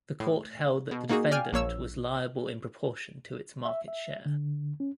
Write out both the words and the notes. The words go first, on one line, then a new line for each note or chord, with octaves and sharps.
The court held that the defendant was liable in proportion to its market share.
A2
B2
A#3 D#4 F#4 G#4
D5 F5 G5 G#5 F6
A#1 A#3 C#5 E6
E5
E5
D3
C#4